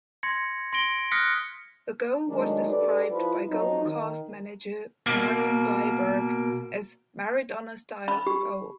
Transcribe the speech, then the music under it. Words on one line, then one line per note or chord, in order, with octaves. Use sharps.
The goal was described by Gold Coast manager Miron Bleiberg as a "Maradona-style" goal.
C6 G#6 A#6 C#7
C6 A#6 D7 G7
D#6 F6 F#6 A#6 B6 C#7
A2 D#3 F#3 G#3 D4 D#4
D4 G4 A4 B4 D5
F3 E4 B4
F2 F#3 D#4
D#3
B2 A#3
B5
G4